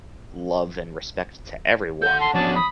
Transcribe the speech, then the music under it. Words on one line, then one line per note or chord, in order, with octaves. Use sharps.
love and respect to everyone."
A4 F#5 G6
A5 C6
F3 B3 C#4 D4 F#4 A5
B5 D#6